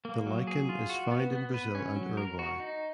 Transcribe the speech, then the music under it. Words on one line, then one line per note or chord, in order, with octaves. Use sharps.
The lichen is found in Brazil and Uruguay.
A#3
F#3
G#4
F4
F#4
B3
B3
B4
C#4
F#3
A#4
F#4
D#4